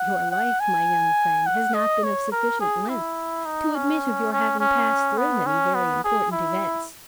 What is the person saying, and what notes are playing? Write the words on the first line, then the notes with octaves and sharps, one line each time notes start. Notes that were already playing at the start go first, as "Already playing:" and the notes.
"Your life, my young friend, has not been of sufficient length to admit of your having passed through any very important events."
Already playing: F#5
F#5
G#5
F#5
D#5
C#5
A#4
G#4
E4
D#4
C#4
C#4
C#4
B3
C#4
B3
G#4
E4